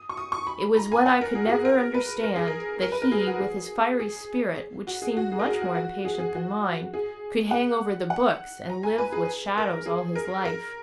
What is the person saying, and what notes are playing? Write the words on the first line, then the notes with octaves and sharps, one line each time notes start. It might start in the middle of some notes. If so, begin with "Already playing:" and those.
It was what I could never understand, that he, with his fiery spirit, which seemed much more impatient than mine, could hang over the books and live with shadows all his life.
Already playing: D#6
C#6
D#6
C#6
B5
A#5
G#5
F#5
A#4
G#4
F#4
G#4
A#4
B4
A#4
G#4
A#4
A#4
B4
A#4
G#4
F#4
G#4
G#4
F#4
G#4
F#4
G#4
A#4
G#4
F#4
F#4
G#4
G#4
F#4
G#4
F#5
F#5
A#5
G#5
B4
G#4
A#4
G#4
A#4
A#4